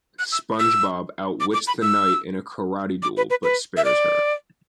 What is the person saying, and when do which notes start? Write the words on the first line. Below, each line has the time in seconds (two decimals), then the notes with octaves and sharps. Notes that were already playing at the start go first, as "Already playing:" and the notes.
SpongeBob outwits the knight in a karate duel but spares her.
0.19 F#6
0.32 E6
0.59 E6
1.40 D6
1.54 D6
1.67 B5
1.82 E6
3.02 D6
3.17 B4
3.30 B4
3.43 B4
3.77 E5
3.85 D5